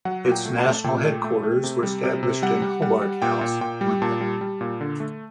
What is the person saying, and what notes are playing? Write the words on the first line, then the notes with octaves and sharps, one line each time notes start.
Its national headquarters were established in Hobart House, London.
F#3 F#5
A#2
G5
A3
A5
A3
A#2 G5
A3
A3
A3
C3
G3
C3
C3
G3 F#5
G3
G3 F#5
G3
A#2 G5
A#2
A#2 G5
G3
A#2 A5
G3
G3
A#2
D3
A3